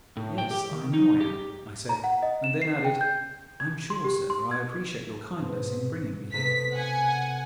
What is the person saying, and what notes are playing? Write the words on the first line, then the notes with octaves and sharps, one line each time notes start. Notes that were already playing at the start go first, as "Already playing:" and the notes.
"Yes, I know I am," I said, and then added: "I'm sure, sir, I appreciate your kindness in bringing me here."
A2
G5
G4
D#3
D#4
G4
A#5
F#5
D#5
E7
C7
G5
G6
G#6
C6
G4
C6
G#6
G#2 B2 C4
C3 A3 B3 B6
F#5 G#5